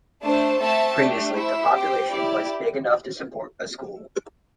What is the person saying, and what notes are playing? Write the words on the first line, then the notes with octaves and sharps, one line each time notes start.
Previously the population was big enough to support a school.
A3 D4 C5 A5
A3 C4 A4 E5 A5
A3 D4 G4
E4 C5 E5
C4 G4 C5 G5
E4 G4 D5